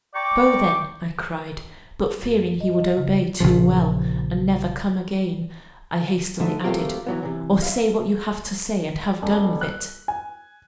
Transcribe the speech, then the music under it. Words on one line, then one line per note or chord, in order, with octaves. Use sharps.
'Go then!' I cried; but, fearing he would obey too well, and never come again, I hastily added--'Or say what you have to say, and have done with it!'
D5 G5 A#5 C#6 D6
F#2
D#5
D#5
C#3
A#1 C#3 F3
D3 A3 D#4
F#3 A3 A#3 C4 F4 G4
E3 F#3 B3
C3 E3
E5 F5
D#1
F#6
G#5